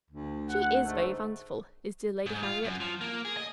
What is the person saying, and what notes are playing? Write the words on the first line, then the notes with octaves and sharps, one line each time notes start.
She is very fanciful, is dear Lady Harriet!
D2
F#5
G#2 A3
G#2
F4
F#2
F3
A#3
G#4
D#5